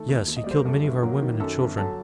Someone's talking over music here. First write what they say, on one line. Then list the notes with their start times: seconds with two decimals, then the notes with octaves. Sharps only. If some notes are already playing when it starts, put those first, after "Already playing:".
Yes, he killed many of our women and children.
Already playing: D#3 A3 A4
0.09 D#2
0.28 D#2
0.37 D#5
0.44 D5
0.47 G3 C5
0.58 A#4
0.65 F#2 A3 A4
0.84 G1
1.02 F#3 A#3 A#4
1.21 D#3
1.40 F#2 A4 A5
1.59 G1
1.77 F#3 A4 A5